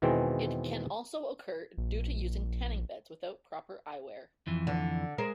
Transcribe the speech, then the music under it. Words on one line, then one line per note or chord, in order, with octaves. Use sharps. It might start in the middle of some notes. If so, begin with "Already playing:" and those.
It can also occur due to using tanning beds without proper eyewear.
E2 B2 D#3 E3 G#3 C4
A#1
F2 E3
D3
G#3 A#4 C5